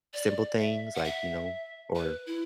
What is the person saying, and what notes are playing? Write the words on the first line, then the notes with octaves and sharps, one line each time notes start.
simple things, like you know or
D5
E5
F#5
E5
B4
E4